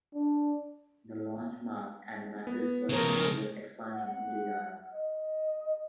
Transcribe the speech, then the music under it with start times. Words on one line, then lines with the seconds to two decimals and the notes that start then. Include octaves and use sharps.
The launch marked Animax's first major expansion into Europe.
0.14 D4
2.47 B3
2.89 C#3 F3 A#4
3.93 F#5
4.94 D#5